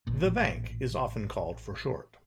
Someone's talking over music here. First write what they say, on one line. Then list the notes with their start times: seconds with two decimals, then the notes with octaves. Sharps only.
The Bank is often called for short.
0.07 A1 A#2